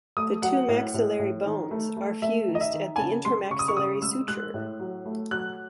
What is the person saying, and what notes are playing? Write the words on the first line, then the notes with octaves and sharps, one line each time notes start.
The two maxillary bones are fused at the intermaxillary suture.
A3 D#6
F#3 F#5
A2
A2
A2
D#3
A3
A3
A3 E5
D#3
D#5
E5
D#3
G#5
C#3 A5
G#3 C6
C#3 C#6
D#6
C#6
C#3 D#6
G#3 E6
G#3 F#6
A2
F#3
A3
F#3 F#6